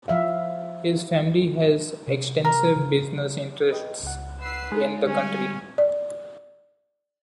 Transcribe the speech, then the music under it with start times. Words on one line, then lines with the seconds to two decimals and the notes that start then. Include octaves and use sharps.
His family has extensive business interests in the country.
0.08 F3 E5 F5
2.07 C3
2.45 A#4
2.76 C#3
3.71 B4 D#5 G5
4.03 C#2 F#5
4.41 B4 E6 C7
4.72 G#3 D#4 F4
5.06 D3 G3 C4 C#4 G#5
5.78 D5